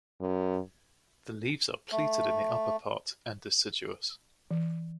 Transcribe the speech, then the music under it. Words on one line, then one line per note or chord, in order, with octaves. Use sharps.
The leaves are pleated in the upper part and deciduous.
F#2
A3
E3